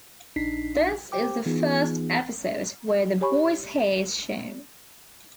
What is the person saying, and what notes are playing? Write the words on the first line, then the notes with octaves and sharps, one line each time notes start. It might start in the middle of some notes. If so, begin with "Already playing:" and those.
This is the first episode where the boy's hair is shown.
A#1 D4 D#4 B6 C7
G4 C5 G5 D6
E3 B3 D#4 F4 G#4
G4 C#5 G#5 B5 C#6